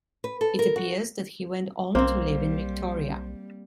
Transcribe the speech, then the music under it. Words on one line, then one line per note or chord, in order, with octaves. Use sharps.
It appears that he went on to live in Victoria.
B4
A4
A#4
F#4
B1 G3 A#3 C4 C5